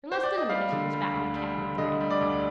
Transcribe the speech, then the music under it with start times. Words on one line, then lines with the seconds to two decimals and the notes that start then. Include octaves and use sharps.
In less than a minute he was back in the cab with the ring.
0.12 C5
0.23 D5
0.38 D#5
0.49 G3 F5
0.72 D3
0.93 G3
1.14 D2
1.36 G3
1.57 D3
1.78 D3 D#5
2.00 G3
2.11 D5
2.21 D2